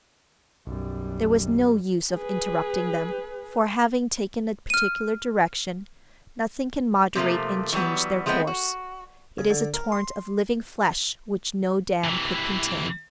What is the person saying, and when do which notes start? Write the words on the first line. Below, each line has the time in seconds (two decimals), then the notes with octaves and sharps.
There was no use of interrupting them, for, having taken a particular direction, nothing can moderate and change their course; it is a torrent of living flesh which no dam could contain.
0.67 B1 F#2 G3
2.14 G#4 B4
4.70 F6 D#7
7.15 C3 F3 A3 A#3
7.72 E3 F#3 G3 B3
8.26 F3 G#3 A3 B3 C4
8.47 F#4
9.38 C#3
9.50 D3
9.74 A#4
9.92 C6
12.04 C3 E3